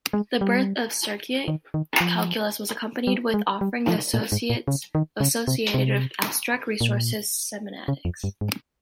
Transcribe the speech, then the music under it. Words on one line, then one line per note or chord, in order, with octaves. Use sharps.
The birth of cirquent calculus was accompanied with offering the associated "abstract resource semantics".
G#3
G3
D#3
D#3
F3
G3
G#3
G3
F3
A#2
G#2
A#2
C#3
D#3
C#3
C3
C3
A#2
C#3
F2
G2
G#2